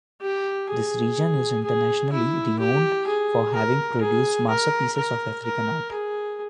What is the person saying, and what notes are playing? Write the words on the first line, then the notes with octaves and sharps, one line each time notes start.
This region is internationally renowned for having produced masterpieces of African art.
G4
G#4
G#4
E4
G4
G#4
A#4
G#4
A#4
A#4
A#4
G#4